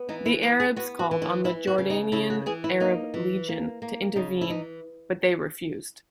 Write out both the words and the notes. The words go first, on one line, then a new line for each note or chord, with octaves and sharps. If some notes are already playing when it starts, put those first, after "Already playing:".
The Arabs called on the Jordanian Arab Legion to intervene but they refused.
Already playing: B3
E3 D#4
E4
B3 E4
G#4
B3 F#4
F#4
E3
E4
E3 E4
F#4
C#3
D#4
C#3 E4
F#4
E3 G#4
E4
A#3 D#4
E3
A#3
A#3
C#3 D#4
E4
E3 D#4